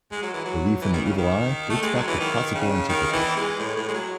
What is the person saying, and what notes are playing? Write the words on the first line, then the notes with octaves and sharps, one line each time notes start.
Belief in the evil eye dates back to Classical antiquity.
G#3
F#3
E3
F#3
E3
D#3
C#3
D#3
A3
G#3
F#3
E3
D#3
C#3
D#3
E3
G#3
A2
A2
G#3
F#3